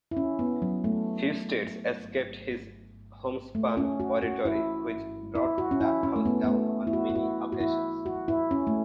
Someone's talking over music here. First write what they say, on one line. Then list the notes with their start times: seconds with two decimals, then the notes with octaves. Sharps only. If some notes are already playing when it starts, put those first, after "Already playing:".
Few states escaped his homespun oratory, which brought the house down on many occasions.
0.11 E4
0.17 C#4
0.39 B3
0.62 F#3
0.84 A3
3.55 A3
3.77 C#4
4.00 F#4
4.22 F#4
4.45 E4
5.35 E4
5.58 F#4
5.71 C#4
5.81 E4
6.03 C#4
6.16 A3
6.25 B3
6.44 B3
6.48 A3
6.87 E4
6.93 F#4
7.10 E4
7.16 F#4
7.52 F#4
7.61 E4
8.06 F#4
8.28 E4
8.51 C#4
8.67 A3